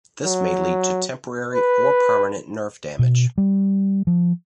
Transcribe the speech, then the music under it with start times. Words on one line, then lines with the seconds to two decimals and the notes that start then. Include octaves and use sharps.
This may lead to temporary or permanent nerve damage.
0.25 F#3
1.54 B4
2.99 B2
3.38 G3
4.07 F3